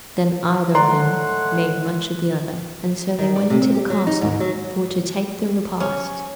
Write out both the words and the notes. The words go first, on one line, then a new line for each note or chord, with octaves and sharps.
Then either of them made much of the other, and so they went into the castle for to take their repast.
A2 G#3 D5 F#5 A#5 C6
D#3
D5
C3
C4
G4
F#3
D#4
G#2
F#3
C#4